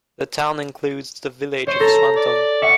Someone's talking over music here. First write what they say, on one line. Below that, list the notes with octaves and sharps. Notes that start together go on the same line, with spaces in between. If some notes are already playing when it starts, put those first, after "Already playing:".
The town includes the village of Swanton.
C5 C#5
A4 A#5
D5
E5 F#5 C#6